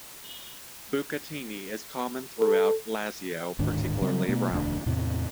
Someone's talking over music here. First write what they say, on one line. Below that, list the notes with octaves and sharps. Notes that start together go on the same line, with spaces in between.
Bucatini is common throughout Lazio, particularly Rome.
A4
D1 G#2 D#3 D4
C#3 F#3 G3 C4
B2 A3 B3
E1 D2 D4
E2 A2 C3